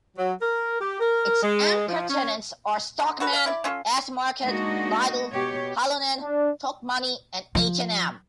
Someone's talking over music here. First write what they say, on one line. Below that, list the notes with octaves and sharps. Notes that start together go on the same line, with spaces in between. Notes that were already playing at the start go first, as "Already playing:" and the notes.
Its anchor tenants are Stockmann, S-market, Lidl, Halonen, Tokmanni and H and M.
F#3
A#4
G4
A#4
G#3
F3
C#4
D3
F#4 A4 B4
F5
E4 D5
C#4 F4 A4
G#3 A#3 D4 D#4 F#4 D#5
B2 G4 C#5
D4
F3